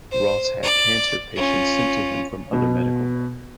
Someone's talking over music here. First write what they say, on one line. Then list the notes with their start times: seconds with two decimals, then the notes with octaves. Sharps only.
Ross had cancer patients sent to him from other medical men.
0.12 C5
0.63 D5
1.36 C#4 F4
2.53 B2